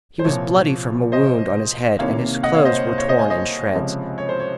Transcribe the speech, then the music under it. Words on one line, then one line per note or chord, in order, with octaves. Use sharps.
He was bloody from a wound on his head, and his clothes were torn in shreds.
C5
C2 A#2 F3 C#5
C5 D#5
C2 C3 D#3 A#3 C#5 F5
D#5 F#5
C#5 F5
C5 D#5
C#5
C5
C#5
C5 D#5
F5 G#5
C5 D#5
C#2 C3 F3 G#3 C#4
C#5
C5
C#5